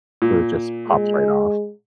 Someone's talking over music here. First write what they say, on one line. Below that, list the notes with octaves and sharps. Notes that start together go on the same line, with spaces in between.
So it just pops right off.
A#2
G#3